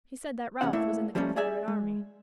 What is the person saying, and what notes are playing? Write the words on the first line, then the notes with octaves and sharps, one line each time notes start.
He said that Ralph was in the Confederate army.
E2 C3 C#4 F#5
A#2 A3 A#3 E4 C#5 E5
F3 G3 A3 A#3 C#4
G#4 D5 E5 G#5
G#3